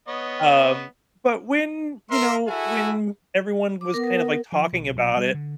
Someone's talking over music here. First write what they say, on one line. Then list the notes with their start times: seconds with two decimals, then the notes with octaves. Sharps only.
um, but when, you know, when everyone was kind of, like, talking about it,
0.08 B3 C#5 D#5
2.10 A#4 E5 C6
2.48 E4 F#4 G#4 A4 E5 G#5
3.81 D6
3.94 B3 A#4
4.52 F3
4.72 B1
4.96 B1
5.17 G3
5.34 D3